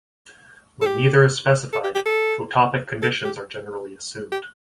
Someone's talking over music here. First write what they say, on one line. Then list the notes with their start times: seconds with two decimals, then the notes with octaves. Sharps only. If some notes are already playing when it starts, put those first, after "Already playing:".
When neither is specified, photopic conditions are generally assumed.
0.81 A4
0.86 G4
1.73 A4
1.84 G4
1.95 G4
2.06 A4
3.02 A4
3.25 G4
4.32 G4